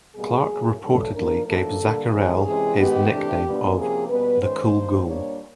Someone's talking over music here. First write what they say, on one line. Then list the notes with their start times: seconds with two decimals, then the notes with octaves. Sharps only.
Clark reportedly gave Zacherle his nickname of The Cool Ghoul.
0.14 B2 G3 A#3 G#4
0.47 A2 F#3 A#3
0.80 E3 G3 A#3 C#4 A4
1.13 F3 A#3 D4 A#4
1.45 A2 F3 A#3 D4 A4
1.79 D3 G3 A#3 D4
2.11 E3 G#3 C#4 G#4
2.44 C3 E3 G#3 C#4 G#4
2.77 D#3 G#3 B3 G4
3.09 C3 E3 A3 D4
3.42 A#2 G3 B3 D4
3.75 C3 F3 A#3 C#4 G#4
4.08 B2 G3 B3 B4
4.40 D#3 G#3 C#4 C5
4.74 D#3 G3 A#3 D4
5.06 A#2 G3 A#3 D4 C#5